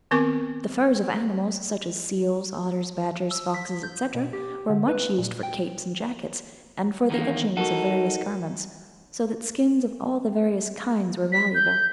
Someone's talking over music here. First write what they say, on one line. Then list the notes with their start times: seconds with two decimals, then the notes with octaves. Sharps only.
The furs of animals, such as seals, otters, badgers, foxes, etc., were much used for capes and jackets, and for the edgings of various garments, so that skins of all the various kinds were valuable.
0.11 D#3 B3 C4 A#4 C#6 D6
3.31 E6
3.54 B6
3.83 G6
4.15 B2
4.33 G4
4.70 D3
4.88 B4
5.18 A#2
5.43 G5
7.10 E2 D#3 A#3
7.57 D#4 F#4 A4 A#4 F#5
11.32 B6
11.54 G6